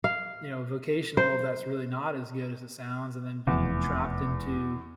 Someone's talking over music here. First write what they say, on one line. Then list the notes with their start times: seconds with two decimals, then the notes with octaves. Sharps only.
you know, vocational if that's really not as good as it sounds and then being trapped into
0.04 F5
1.17 C5
3.47 F1 E2